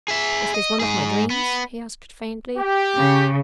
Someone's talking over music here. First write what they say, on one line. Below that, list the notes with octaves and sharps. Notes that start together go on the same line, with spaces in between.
"Is this one of my dreams?" he asked, faintly.
G#4 E5
D#5
G#2 G#4
B3
G4
C#3